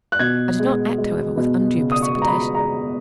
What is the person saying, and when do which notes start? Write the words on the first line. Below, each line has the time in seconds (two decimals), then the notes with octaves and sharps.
I did not act, however, with undue precipitation.
0.12 F#6
0.19 B2 G#6
0.59 G#3
0.98 G#3
1.37 B2
1.76 C#3
1.92 D#6
2.02 C#6
2.15 G#3
2.22 A#5
2.28 B5
2.55 G#3 A#5